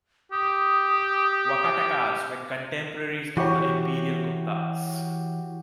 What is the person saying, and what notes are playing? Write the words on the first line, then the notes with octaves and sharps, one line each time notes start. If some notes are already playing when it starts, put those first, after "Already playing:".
Vakatakas were contemporaries of the Imperial Guptas.
G4 D#6
E3 F#4 G4 C#5 C#6